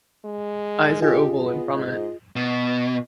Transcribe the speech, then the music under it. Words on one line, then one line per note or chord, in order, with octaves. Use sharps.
Eyes are oval and prominent.
G#3
F4 G4 G#4 D#5
B3
G#2
B2